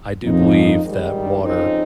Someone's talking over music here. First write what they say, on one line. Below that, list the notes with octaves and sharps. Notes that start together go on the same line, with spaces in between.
I do believe that water
F2 C#3 F3 A#3 D#4
G#2 D#3 G3
F2 C#3 F3 C4 D#4